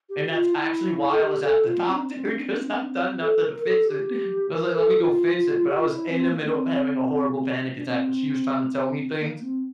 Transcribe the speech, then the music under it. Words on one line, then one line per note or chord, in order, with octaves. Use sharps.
and that's actually why I was at the doctor 'cause I've done nothing to fix it. I was like, "Let me go fix it," but I was in the middle of having a horrible panic attack, but she was trying to tell me things,
G4
G4
F4
E4
A4
G4
A4
F4
C4
D4
C4
D4
C4
D4
C4
D4
C4
D4
C4
D4
C4
D4
C4
A4
A#4
A4
G4
A#4
A4
F4
G4
F4
E4
C4
A#3
D4
C4
D4
C4
A#3
C4